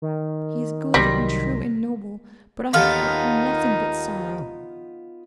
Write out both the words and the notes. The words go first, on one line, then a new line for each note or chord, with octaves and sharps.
He is good and true and noble, but I have brought him nothing but sorrow.
D#3
C2 F#3 G3 C6 A#6 B6
D#2 B3 D#4 F4 A4 F5 C#6 F6